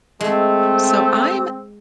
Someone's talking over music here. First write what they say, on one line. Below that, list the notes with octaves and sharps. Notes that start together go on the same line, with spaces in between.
So, I'm
G#3 A3 C4